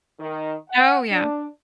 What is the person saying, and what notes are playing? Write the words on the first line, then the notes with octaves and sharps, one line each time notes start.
Oh, yeah.
D#3
F#5
D4